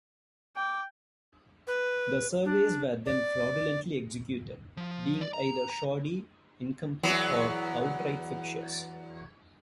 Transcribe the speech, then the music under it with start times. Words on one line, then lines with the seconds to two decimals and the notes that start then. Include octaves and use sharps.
The surveys were then fraudulently executed, being either shoddy, incomplete or outright fictitious.
0.56 G5 D6
1.67 B4
2.45 D4
3.06 D5
4.77 F3
5.21 D5
5.33 A#5
5.70 A#5
7.03 E2 F#3 B3